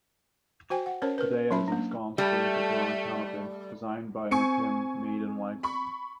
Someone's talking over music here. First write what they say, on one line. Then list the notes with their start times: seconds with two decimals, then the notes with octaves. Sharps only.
Today it is ensconced beneath a granite canopy designed by McKim, Mead and White.
0.70 F#4 C5 G5 G#5
0.86 F#5
1.02 C#4 A#4 C5 C#5
1.18 A#4 B4
1.51 F#3 C#4 E5 B5
1.68 A#3 D4
2.18 G3 A3
4.31 C4 G#5 C#6 C#7
5.63 B5 C#6